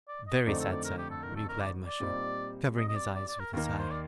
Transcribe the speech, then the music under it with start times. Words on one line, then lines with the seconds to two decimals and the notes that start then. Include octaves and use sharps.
"Very sad, sire," replied Michaud, lowering his eyes with a sigh.
0.08 D5
0.28 D#5
0.46 F2 D3 A3 C4 D#4 D5
0.60 A4
0.72 D5
0.84 A#4
0.98 G4
1.11 A4
1.23 A#4
1.36 A4
1.49 A#4
1.61 D5
1.87 D5
2.00 A#2 G3 C4 D#4 G4
2.77 D#5
2.88 D#5
2.96 D5
3.15 D5
3.28 D5
3.40 A#4
3.53 D#2 D#3 A#3 A#4
3.66 A#4
3.79 C5
3.91 D5